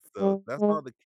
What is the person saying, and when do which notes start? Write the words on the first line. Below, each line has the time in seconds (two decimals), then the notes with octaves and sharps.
so that's all the
0.21 G3
0.59 G#3